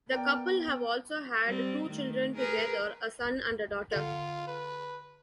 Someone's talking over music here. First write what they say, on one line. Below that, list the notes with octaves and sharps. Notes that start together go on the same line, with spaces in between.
The couple have also had two children together, a son and a daughter.
B3 A#4 D5 G5
G3 C4
D#3 A3
G#4 A#4 B4
D3 F4 A4
B4